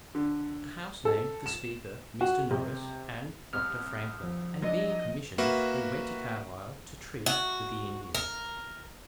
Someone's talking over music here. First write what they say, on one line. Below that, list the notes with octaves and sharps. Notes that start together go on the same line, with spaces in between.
The house named the speaker, Mr. Norris, and Dr. Franklin; and being commissioned, they went to Carlisle to treat with the Indians.
D3
A4
E7
F#4
C3
C2 F6
F3
F#3 D4 D#5
A#3 F#4 B4 E5
F#4
A#4